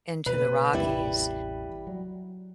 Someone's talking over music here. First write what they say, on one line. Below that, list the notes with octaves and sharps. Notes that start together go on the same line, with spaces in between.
into the Rockies,
B2 A#3 B3 B4
A1 E2 C3 G3 E4
F#3